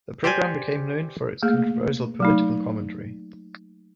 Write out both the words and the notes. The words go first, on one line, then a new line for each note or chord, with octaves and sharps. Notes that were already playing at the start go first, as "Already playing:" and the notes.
The program became known for its controversial political commentary.
G4 C5 D5 G5 G#5
A3 A#3 G#4
F#3 A3 D#4